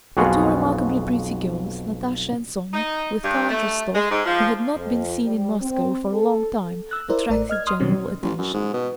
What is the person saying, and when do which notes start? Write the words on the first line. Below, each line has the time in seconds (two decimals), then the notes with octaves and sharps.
The two remarkably pretty girls, Natasha and Sonya, with Count Rostov who had not been seen in Moscow for a long time, attracted general attention.
0.17 B1 F2 B2 F4 F#4 G#4
2.73 D#4
3.24 G2
3.48 A3
3.94 G#3
4.10 G#2
4.26 F3
4.76 F2
5.25 G3
5.61 C4
6.14 A4
6.91 E6 F#6
7.09 E4 A#4 C5 D5
7.29 A1 A3 A#4 D5
7.49 D#5 F6 G#6
7.67 C6 D#6 F6
7.80 B2 D#3 F#3 G3 C4 C#4
8.23 A1
8.38 F#2
8.54 G#2
8.73 B2